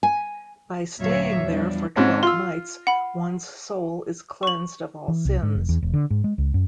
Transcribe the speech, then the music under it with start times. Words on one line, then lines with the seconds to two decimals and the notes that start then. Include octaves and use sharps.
By staying there for twelve nights, one's soul is cleansed of all sins.
0.03 G#5
1.00 D2 A#2 F#3 C#5 E5 F5
1.43 E2 F3 G3 D4
1.96 G#2 C4 C#4
2.23 F4 C6 E6
2.87 F#5 B5
4.43 C#6 F#7
5.08 E3
5.25 C2
5.43 G#2
5.55 F1
5.69 E2
5.82 E1
5.94 D3
6.10 G#2
6.24 G#3
6.38 C#2
6.54 F#2